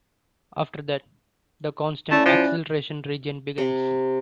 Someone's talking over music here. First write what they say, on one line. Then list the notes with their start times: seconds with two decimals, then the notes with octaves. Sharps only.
After that, the constant acceleration region begins.
2.11 A3 C#4 E4 D5
2.26 F3 F#6
3.58 C3